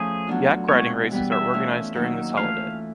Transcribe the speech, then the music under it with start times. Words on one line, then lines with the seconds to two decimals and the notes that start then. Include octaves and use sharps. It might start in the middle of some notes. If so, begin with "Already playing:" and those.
Yak riding races are organized during this holiday.
Already playing: F3 A3 C#4 G#4
0.27 F#3 B3 D4 F4
0.69 B2 G#3 C4 E4 C#5
1.11 E3 G3 B3 E4
1.32 E5
1.53 E3 A3 C#4 F4
1.95 D#3 F#3 A#3 D#4
2.37 E3 A3 C#4 F4 F5